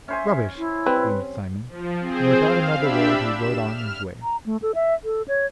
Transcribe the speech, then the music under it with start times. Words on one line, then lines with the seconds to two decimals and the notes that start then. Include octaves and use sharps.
Rubbish!' screamed Simon, and without another word he rode on his way.
0.08 C#4 C5 E5 G#5
0.58 E4
0.86 G3 C4 B4
1.68 F3
2.00 C4 G#4 C5
2.38 F5
2.76 D4 G4 E5 B5 E6
3.24 E7
3.66 F6
4.23 A#5
4.46 A3
4.62 A4
4.75 E5
5.04 A4
5.28 C#5